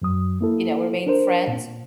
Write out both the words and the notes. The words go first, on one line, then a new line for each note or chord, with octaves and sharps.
you know, remained friends.
F#2 F#3 D#6
A#3 E4 A4
D4 A#4 C5
A#2